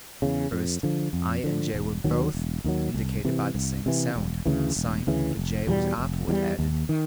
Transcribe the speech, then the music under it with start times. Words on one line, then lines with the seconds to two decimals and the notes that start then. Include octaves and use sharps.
At first i and j were both indicated by the same sound; a sign for j was afterward added.
0.22 E2 C#3
0.52 F2
0.83 D3 F3
1.13 F2
1.44 D3 F3
1.73 E1
2.04 D#2 D#3 F#3
2.34 E1
2.64 D#2 D#3 F#3
2.94 C2
3.25 C3 E3
3.55 C2
3.86 C3 E3
4.16 E1
4.46 D2 C#3 E3
4.76 E1
5.07 D2 C#3 E3
5.37 F1
5.67 E2 B2 G3
5.98 F1
6.28 E2 B2 G3
6.59 D#2
6.89 D#3